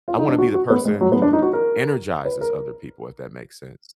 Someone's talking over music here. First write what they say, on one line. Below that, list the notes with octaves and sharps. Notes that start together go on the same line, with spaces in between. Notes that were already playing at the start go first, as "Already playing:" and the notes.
I wanna be the person who energizes other people, if that makes sense.
F4
D#4
D4
F#4
F#4
B3
G#3
F#3
B3
D4
D#4
F#4
A#4
B4
A#4